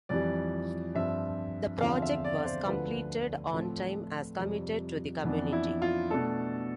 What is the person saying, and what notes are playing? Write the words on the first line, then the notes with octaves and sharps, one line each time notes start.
The project was completed on time as committed to the community.
F2 E3 G3 D5
G2 F3 C4 E5
E2 D3 F3 C4 F5
E5
D5
C5
D2 D3 F3 B3 B4
A2 F3 A3 C4
F2 C3 G3
F2 E3 B3 D4
E4
F4
B2 A3 D4 A4